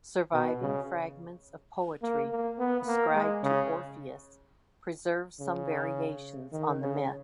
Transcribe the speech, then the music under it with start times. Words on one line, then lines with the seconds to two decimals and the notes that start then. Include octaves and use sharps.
Surviving fragments of poetry ascribed to Orpheus preserve some variations on the myth.
0.33 B2
0.61 C#3
2.03 A#3
2.31 A#3
2.59 B3
2.87 A#3
3.15 G#3
3.43 C#3
5.40 C#3
6.52 D#3
6.81 C#3